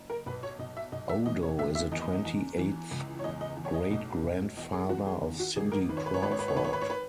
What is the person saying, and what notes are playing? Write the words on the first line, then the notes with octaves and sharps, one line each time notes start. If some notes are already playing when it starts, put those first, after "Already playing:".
Odo is a twenty-eighth great-grandfather of Cindy Crawford.
Already playing: F#1
A#4
B1 B4
C#5
B1 D#5
E5
B1 D#5
E5
E3 D#5
C#5
D#2 E5
E5
E2 D#5
E2
E3
C#2
C#5
E2 D#5
D#5
E2
C#5
D#5
B1
B1
E2 D#5
G#4
E2 F#4
G#4
D#3
F#4
G#1 G#4
A#4
D#3 B4
C#5
B4
C#5
G#1 B4
C#5
B4
C#5
D#3 B4
C#5
B4
C#5
B4